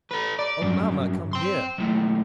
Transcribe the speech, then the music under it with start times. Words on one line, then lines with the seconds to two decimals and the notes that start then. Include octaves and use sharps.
Oh, mamma, come here.
0.11 A4 B4
0.39 D5
0.62 G2 F#3
1.33 G5 C6
1.79 B1 A2